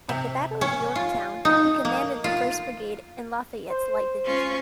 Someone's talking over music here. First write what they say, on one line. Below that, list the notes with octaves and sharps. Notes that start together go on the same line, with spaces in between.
At the Battle of Yorktown, he commanded the first brigade in Lafayette's Light Division.
C3
C#4
F4
D#4
A#3
F4
C5
C#4 F4